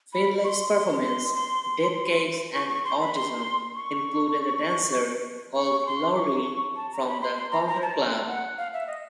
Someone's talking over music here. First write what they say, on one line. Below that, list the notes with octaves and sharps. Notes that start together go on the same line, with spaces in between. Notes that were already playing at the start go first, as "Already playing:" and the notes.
Finley's performance "Deathcakes and Autism" included a dancer, called "Laurie", from the Condor Club.
B5
C#6
C6
C6
C6
C6
C#6
C#6
C6
B5
C6
C#6
C#6
C6
D6
C#6
A5
A#5
B5
C6
C6
A#5
A#5
A5
F#5
F5
E5
D#5